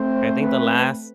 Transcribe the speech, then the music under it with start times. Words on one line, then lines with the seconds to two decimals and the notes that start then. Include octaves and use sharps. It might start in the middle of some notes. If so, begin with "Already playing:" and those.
I think the last
Already playing: A3 C4 C5
0.42 B4